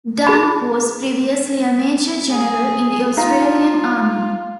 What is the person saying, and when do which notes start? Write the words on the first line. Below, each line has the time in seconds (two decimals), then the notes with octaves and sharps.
Dunn was previously a major general in the Australian Army.
0.27 G#4 B5
2.31 G#4
3.17 D#4 F4 F5